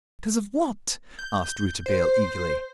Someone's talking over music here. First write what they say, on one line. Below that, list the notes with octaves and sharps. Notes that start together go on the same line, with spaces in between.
"Because of what?" asked Rouletabille eagerly.
G6
C5